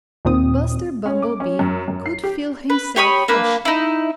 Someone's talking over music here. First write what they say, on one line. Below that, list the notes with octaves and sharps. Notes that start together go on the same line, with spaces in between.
Buster Bumblebee could feel himself flushing.
D#2 A#2 C4 D#6
C#4
D6
C#4
F#2
F#2
C7
G4
B4
G4 C#5 B5 D#6
A#3 D4 B4
D#4 E4